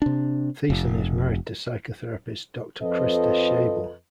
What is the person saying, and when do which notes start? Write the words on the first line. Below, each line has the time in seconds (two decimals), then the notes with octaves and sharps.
Theissen is married to psychotherapist Doctor Christa Schaible.
0.02 C3 D4
0.70 F1
2.82 F2 F3 C4 A4 B4 D#5